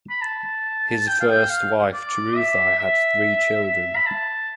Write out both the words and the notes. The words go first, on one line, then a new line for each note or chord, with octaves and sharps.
His first wife Chiruthei had three children.
B5
A5
G5
F5
G5
F5
D5
E5
E5
E5
B5
A5